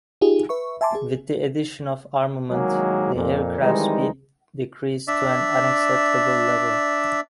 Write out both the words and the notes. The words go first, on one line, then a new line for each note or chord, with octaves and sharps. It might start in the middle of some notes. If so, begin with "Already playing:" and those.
With the addition of armament, the aircraft's speed decreased to an unacceptable level.
D#4 F4 G4 G#4
B4 E5 C#6
E5 G#5 A5 C6 D6
G#4
C2 D#3 F#3 G#3 A#3 G#4
F2 A#2
D#3 E3 G3 G#3 C4 D#4
D4 D5 E5